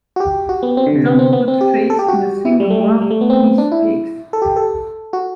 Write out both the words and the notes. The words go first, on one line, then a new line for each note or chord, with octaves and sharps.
Don’t put faith in a single word he speaks.
F#4
G4
F#4
B3
C4
D3
C3
B3
C4
B3
C4
G4
A4
G4
F#4
E4
G3
A3
G3
G3
A3
B3
C4
D4
E4
A4
G4
A4
F#4